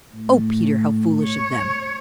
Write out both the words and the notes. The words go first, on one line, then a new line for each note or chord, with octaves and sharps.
"Oh, Peter, how foolish of them!"
A2
C#5